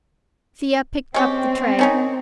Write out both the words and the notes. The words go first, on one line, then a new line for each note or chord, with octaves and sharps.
Thea picked up the tray.
G#3 C4 C#4 G4
D#3 C#4 D#4